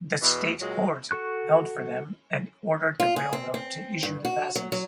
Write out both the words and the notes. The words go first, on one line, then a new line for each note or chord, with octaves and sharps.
The state court held for them, and ordered the railroad to issue the passes.
E2 B2 E3
A#2 F#3 G#3
F#4 A4 C#6 F#6
F4
G#4
C4
C4
G2
F#4
F#3
F#3